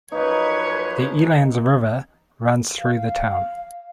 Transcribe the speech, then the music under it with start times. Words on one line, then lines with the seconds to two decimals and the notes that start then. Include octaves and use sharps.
The Elands River runs through the town.
0.12 F#2 F3 A#3 D#4 B4 C#5 G#6
2.78 F5